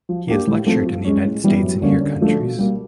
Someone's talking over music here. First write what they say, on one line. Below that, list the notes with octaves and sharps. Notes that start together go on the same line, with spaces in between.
He has lectured in the United States and here countries.
F3
A#3 D4 G4
A2
F3 A3 C4 F4
F3
G#3 C#4
A2
E3 G3 B3 E4
F#2
D3 G3 A#3 C#4
D3
F3 A3 D4
B2
G3 A#3